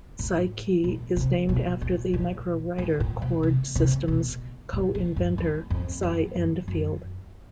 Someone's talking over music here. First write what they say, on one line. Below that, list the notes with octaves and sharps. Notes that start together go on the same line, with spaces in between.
CyKey is named after the Microwriter chord system's co-inventor Cy Endfield.
A2
A#2
C3
B2
A#2
A#2
A2
A#2
B2
C3
C3
B2
A#2
A2
G2
F#2
F2
F#2
G2
F#2